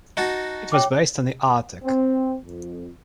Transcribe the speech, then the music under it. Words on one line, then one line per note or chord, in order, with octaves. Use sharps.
It was based on the Artek.
D#4 F#4 A5
C#5 G5 D6
C4
F2